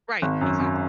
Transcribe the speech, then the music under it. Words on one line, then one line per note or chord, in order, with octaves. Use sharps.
Right. Exactly.
G#1
F#2
F#2